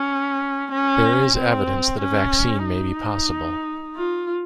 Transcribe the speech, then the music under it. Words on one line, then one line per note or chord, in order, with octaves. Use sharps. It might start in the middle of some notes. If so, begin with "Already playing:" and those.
There is evidence that a vaccine may be possible.
Already playing: C#4
C#4
C4
C#4
D#4
F4